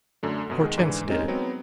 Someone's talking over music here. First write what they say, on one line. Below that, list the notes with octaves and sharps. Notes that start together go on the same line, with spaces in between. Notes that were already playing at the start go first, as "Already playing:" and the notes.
"Hortense did it."
F#2 D3 A3
F#2 B2
D#3 G#3
G#2 D3 E3
G#3 C4 C#4 D#4 A#4
F#3 B3 C4